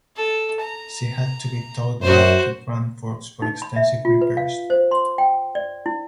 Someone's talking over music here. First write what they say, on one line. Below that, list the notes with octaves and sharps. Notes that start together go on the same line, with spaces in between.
She had to be towed back to Grand Forks for extensive repairs.
A4
A#5
F#2 F#4 C5
D#4
B5
E5
F4
B4
F5
C5
C6
G5
D5
E4